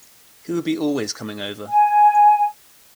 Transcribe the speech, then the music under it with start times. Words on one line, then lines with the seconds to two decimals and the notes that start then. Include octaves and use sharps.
He would be always coming over.
1.69 G#5